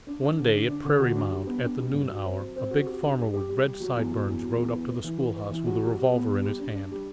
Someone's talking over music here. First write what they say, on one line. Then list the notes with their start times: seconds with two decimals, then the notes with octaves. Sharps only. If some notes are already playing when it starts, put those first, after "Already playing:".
One day, at Prairie Mound, at the noon hour a big farmer with red sideburns rode up to the schoolhouse with a revolver in his hand.
0.07 D4
0.22 D4
0.38 D3
0.54 D4
0.69 D4
0.85 D3
1.00 F#4
1.15 D4
1.31 G3
1.47 B3
1.62 D4
1.78 G3
1.93 G2
2.09 F#4
2.25 C4
2.40 F#3
2.56 C4
2.71 F#4
2.87 G4
3.03 D4
3.18 G3
3.34 G4
3.49 G3
3.65 G3
3.80 F#3
3.95 E2
4.11 F#3
4.26 E2
4.42 F#3
4.58 E2
4.73 B4
4.89 B4
5.04 E3
5.20 B4
5.36 B4
5.51 E3
5.67 F#4
5.82 G3
5.97 G3
6.13 B3
6.28 G3
6.44 G3
6.59 D4
6.75 D4
6.91 G3